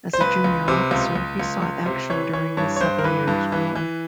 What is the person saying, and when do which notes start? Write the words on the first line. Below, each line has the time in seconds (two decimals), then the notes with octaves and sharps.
As a junior officer he saw action during the Seven Years' War.
0.13 C5
0.20 C#2 B4
0.44 C#2
0.68 C3
0.91 C#2
1.16 C#2
1.39 C#2
1.62 C#2
1.86 C3
2.10 E3 C#5
2.33 E3 C#5
2.57 G2 C#5
2.76 C#5
2.81 G2 C5
2.99 A#4
3.04 E3 B4
3.28 G2
3.52 E3
3.75 E3